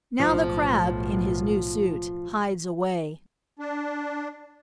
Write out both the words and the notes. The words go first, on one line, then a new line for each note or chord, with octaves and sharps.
Now the Crab, in his new suit, hides away.
B1 A2 F3
D4